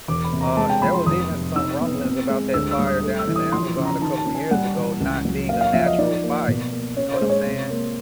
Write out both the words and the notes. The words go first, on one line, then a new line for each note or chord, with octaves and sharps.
uh, there was even some rumblings about that fire down in the Amazon a couple of years ago not being a natural fire, you know what I'm saying?
E1 D6
B5
C3
A#5
G#3 A5
G5
F3 B5
C6
F1 D#6
C3
D#4 E6
B3
C4
G#3
D2 E6
E6
G3
D#6
A3
E6
E3
D#6
F3 C6
C#3
A#5
D#3 A5
A5
C#4
G#5
G3 F#5
E3
C#2
F#3
A#3 F5
F5
F3 E5
D#5
D#4 D5
A#3
B2
A#3
C#4 C#5
C5
G#3
C#5
C3
A#3